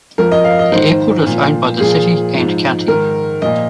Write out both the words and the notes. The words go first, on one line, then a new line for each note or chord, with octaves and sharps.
The airport is owned by the city and county.
F2 F3 A#4
D#5
F5
D#5
G#2 D#3 C5
A#2 F3
A#2 F3 G#4
G#2 F3
G#2 D#3 A#4
A#2 F3 D#5